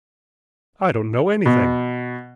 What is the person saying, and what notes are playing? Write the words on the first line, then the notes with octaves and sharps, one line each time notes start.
I don't know anything.
B2